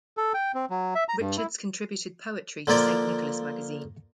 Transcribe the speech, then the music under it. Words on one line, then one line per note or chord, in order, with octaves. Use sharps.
Richards contributed poetry to "Saint Nicholas Magazine".
A4
G5
C4
F#3
E5
A#5
G2
E4
D3 F3 A#3 F4 D5